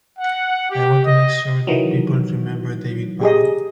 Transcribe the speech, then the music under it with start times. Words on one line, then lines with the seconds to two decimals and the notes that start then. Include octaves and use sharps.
I want to make sure that people remember David Bowie.
0.19 F#5
0.69 G4
1.04 D#5
1.67 D#3 E3 F#3
3.21 G4 G#4 D#5